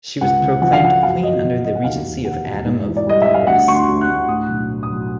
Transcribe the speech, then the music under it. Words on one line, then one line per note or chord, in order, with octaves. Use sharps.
She was proclaimed queen under the regency of Adam of Baghras.
C#2 F#5
C#3
F3 F#5
F5
F3 F#5
F#2 F5
F#2 D#5
F3
F#2 D#5
F#5
D#2 F5
E1
D#2 F#5
E1
G#2
E3
D5
G3 D#5
E5
G3
F5
D2 F#5
D2 C#6
C6
D2
F#6
D2
A2 D#6
B1
A2
D#6
B1